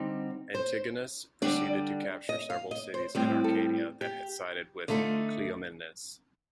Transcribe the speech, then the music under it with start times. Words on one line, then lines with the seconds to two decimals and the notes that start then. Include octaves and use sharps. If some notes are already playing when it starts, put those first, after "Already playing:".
Antigonus proceeded to capture several cities in Arcadia that had sided with Cleomenes.
Already playing: D3 G3 C4 D#4
0.54 C5
1.42 D3 G3 D4 D5
2.29 D#5
2.50 F5
2.71 D#5
2.94 C5
3.15 A2 G3 C4 C5
3.44 A4
4.01 G4
4.88 D3 A3 D#4 F4